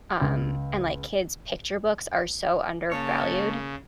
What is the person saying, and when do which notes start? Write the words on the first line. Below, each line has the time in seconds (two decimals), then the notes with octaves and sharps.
um and like kids picture books are so undervalued,
0.21 C#2
2.92 C#3 A#3 C#5 A5